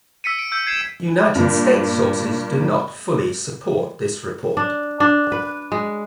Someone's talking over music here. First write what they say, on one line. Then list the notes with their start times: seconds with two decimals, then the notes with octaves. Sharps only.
United States sources do not fully support this report.
0.24 E6 B6 C#7 D#7
0.39 D7
0.52 E6 G6 C#7
0.67 G#6 C7 E7
1.35 G2 A#2
4.57 D4
5.00 D4
5.32 B4
5.72 G#3